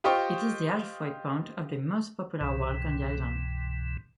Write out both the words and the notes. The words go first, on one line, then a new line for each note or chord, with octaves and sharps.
It is the half-way point of the most popular walk on the island.
F4 G4 C5 D#5 G5 C#6
C2 G2 B2 E3